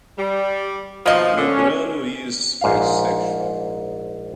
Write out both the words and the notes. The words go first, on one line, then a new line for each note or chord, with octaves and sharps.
Medrano is bisexual.
G3
B2 D#3 F3 A#3 D#5
D3 C#4
A#1 G#2 E5 F5